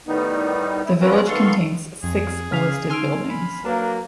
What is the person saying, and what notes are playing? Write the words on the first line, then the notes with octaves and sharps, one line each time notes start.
The village contains six listed buildings.
A2 D#3 G3 B3 D#4
E4
C4 C#4 F4 F#4 A#4 B4
D#3 B3 A4 F5 C6 C#6
F2 G#4
C#3 F5 F6 B6 F7
D#4 G#5 C6 E6 F6 D7
B5
F#3 A#3 D4 B4 A#5